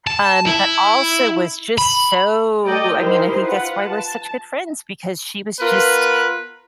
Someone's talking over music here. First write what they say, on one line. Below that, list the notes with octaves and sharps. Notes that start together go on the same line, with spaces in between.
um, but also was just so I mean, I think that's why we're such good friends because she was just
A5
E4
B5
A3 G4 A4 D5 D#5 G5
D#4 E4 G4 A#4 C5
F4 B4 F#5
A5
B3 F4 A#4 B4